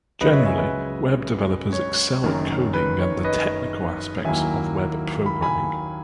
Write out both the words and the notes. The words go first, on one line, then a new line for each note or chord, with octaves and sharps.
Generally, web developers excel at coding and the technical aspects of web programming.
C#2 C#3 F#3 B4 D#5
C#5 E5
E5 G#5
B4
C#5
F#1 F#2 D#3
B4
C#5
B4 D#5
D#2 D#3 F#3 A#3 E4 E5 G#5
B5
G#5 B5